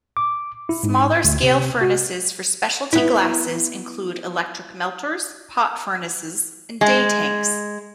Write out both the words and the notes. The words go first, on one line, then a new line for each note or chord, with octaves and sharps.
Smaller scale furnaces for specialty glasses include electric melters, pot furnaces, and day tanks.
D6
E4
G#2
D2
C3
F#4
B3 E4
G#3